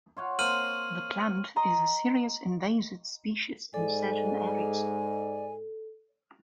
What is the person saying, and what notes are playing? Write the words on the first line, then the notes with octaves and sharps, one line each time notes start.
The plant is a serious invasive species in certain areas.
F4 C#5 F#5
A#3 C4 C5 F6 D#7 F#7
D#5 A#5 C6
G#2 G#3 A4 D5 G#5